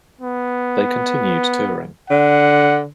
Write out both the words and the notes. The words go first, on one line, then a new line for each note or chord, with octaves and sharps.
They continued touring.
B3
D3 F#5